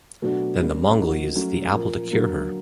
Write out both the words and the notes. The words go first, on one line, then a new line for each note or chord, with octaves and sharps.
Then the Mongol uses the apple to cure her.
B2 F#3 A3 D4 F#4
G3 A#3 C#4
F3 A#3 D#4 F#4
F#3 A3 C#4
A#2 F3 A#3
D3 F#3 A#3